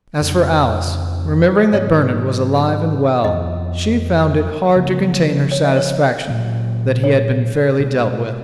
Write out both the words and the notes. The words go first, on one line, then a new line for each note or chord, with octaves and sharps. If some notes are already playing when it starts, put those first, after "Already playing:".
As for Alice, remembering that Bernard was alive and well, she found it hard to contain her satisfaction that he had been fairly dealt with.
F2 C#3 G#3 C#4
G#2 F#3 B3 C#5
F2 F3 B3 D#5
C#3 F3 B3
C#5
D#5
C#5
A#2 F#3 A#3
C#5
B2 G#3 B3